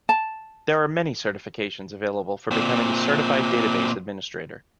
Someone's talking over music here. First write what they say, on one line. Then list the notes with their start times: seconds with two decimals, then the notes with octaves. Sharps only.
There are many certifications available for becoming a certified database administrator.
0.09 A5
2.51 A#2 C4